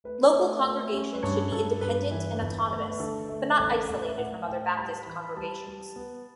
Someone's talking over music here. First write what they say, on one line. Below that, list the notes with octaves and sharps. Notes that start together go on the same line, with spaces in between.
Local congregations should be independent and autonomous, but not isolated from other Baptist congregations.
A3 B4
A3
A3
C#4
B4
G2 C#5
G2 A4
G2 B4
E3
G1
A3
B4
D3 A4
A3
A1 A4
A4
A1 A4
E5
A2 F#5
A2 G5
G3 B5
E3
G3 A5
G3
B3